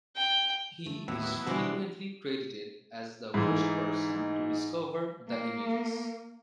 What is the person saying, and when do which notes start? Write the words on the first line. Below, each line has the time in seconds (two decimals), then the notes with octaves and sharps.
He is frequently credited as the first person to discover the images.
0.17 G5
0.86 A3
1.08 D#2 A2 F#3 B3 E4
1.47 B2 E3 G3 D4 F#4 C5
3.34 G#2 E3 D#4
5.26 A#3